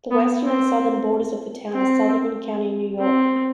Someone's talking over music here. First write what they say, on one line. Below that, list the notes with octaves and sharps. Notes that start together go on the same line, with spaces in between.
The western and southern borders of the town are Sullivan County, New York.
B3
C4
C4
C4